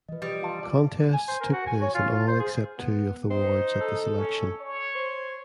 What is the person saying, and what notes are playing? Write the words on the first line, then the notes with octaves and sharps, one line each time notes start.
Contests took place in all except two of the wards at this election.
E3 F3 B4 D#5
G3 G4 D#6 D7
F4 A5
D5
G#5
C5
A#4
F#4
G#5
C#5
F4
F4
C5
G#4
B3
D#4 C5
A4
C#4
C#5
C5